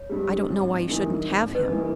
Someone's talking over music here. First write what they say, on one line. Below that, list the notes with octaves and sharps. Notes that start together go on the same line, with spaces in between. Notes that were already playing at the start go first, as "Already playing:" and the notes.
I don't know why you shouldn't have him.
Already playing: C#5
G2 G3
G#1
G2 E3 A#3 D#4
G#1
B4 D#5
G2 E3 A#3 D#4